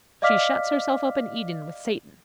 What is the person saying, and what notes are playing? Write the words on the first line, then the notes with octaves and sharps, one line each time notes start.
She shuts herself up in Eden with Satan.
D5 D#5 F5 D6 F6 B6